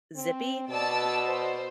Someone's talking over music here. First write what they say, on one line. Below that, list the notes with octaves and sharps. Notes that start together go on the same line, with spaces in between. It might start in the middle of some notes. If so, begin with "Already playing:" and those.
eh, zippy.
C4
B2 D5 A5 E6
C5